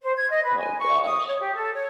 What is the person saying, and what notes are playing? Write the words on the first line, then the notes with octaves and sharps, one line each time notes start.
Oh, gosh.
C5
G#6
D#5
B4
G#5
C#6
D#6
C#5
G4
A4
C#5